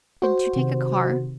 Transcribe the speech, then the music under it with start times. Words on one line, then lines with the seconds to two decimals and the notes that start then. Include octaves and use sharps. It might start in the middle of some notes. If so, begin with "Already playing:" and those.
"Didn't you take a car?"
0.22 F#4 C5
0.56 C3 D#3